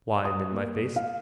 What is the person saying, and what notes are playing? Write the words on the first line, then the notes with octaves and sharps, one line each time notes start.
Wine in my face.
D#6
A#3
F5